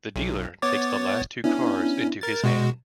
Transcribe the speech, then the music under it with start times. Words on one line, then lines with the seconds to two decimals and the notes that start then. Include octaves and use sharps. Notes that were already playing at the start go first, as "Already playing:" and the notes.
The dealer takes the last two cards into his hand.
0.16 B1
0.62 B3 C#5 D6 A6
1.44 B3 C#4 D4 E4
2.21 A#4 A6
2.44 B2 G#3 F#4